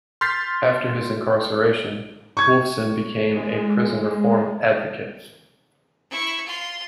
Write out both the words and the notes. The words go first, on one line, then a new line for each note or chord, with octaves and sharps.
After his incarceration, Wolfson became a prison-reform advocate.
C6 F6 G6 A6 B6 C7
C#6 G#6
G#3
E4 C#6
F4 C6